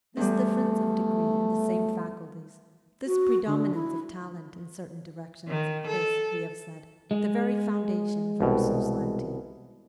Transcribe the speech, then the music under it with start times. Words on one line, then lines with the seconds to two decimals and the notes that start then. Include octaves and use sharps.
This difference of degree in the same faculties, this predominance of talent in certain directions, is, we have said, the very foundation of our society.
0.17 E2 G3 A3
3.04 F#4
3.46 D3
3.74 E4
5.48 D#3
5.87 A4
7.11 G#3
8.41 C2 B2